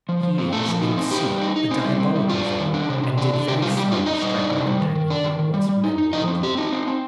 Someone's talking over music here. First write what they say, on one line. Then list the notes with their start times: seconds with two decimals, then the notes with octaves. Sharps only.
"He is, in sooth, a diabolical villain, and did very foully strike our companion here whilst men were holding him."
0.09 F3
0.23 F3
0.38 C4
0.52 A#2 A3 A4
0.68 F3
0.81 D#4
0.97 C4
1.11 D#4 G4
1.26 G3
1.42 D#4
1.56 D#4
1.71 C4
1.85 G3
2.00 C4
2.15 G3
2.29 D4 F4
2.45 G3
2.60 D#3
2.74 D4
2.89 C3
3.03 C3
3.18 D4
3.33 D4
3.48 C3 G4
3.62 G3 F4
3.77 G3 G4
3.92 D4 F4
4.06 D4 D#4 D#5
4.22 G3
4.36 D4
4.51 C3
4.66 G3
4.80 D#3
4.95 D#3
5.10 D4
5.24 D#3
5.39 D#3
5.54 G3
5.69 G3
5.84 D#4
5.98 D#4
6.13 F3 D#4 D#5
6.28 C4
6.43 C4 G4
6.57 D#4
6.72 C4
6.87 C4